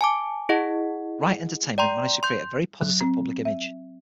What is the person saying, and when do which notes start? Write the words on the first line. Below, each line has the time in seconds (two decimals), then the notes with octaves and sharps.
Riot Entertainment managed to create a very positive public image.
0.01 G#5 A5 D6
0.49 E4 G#4 D#5 F#5
1.78 D5 G5 A#5 C6
2.23 C6 G6
2.81 F#3
3.01 C4
3.45 E5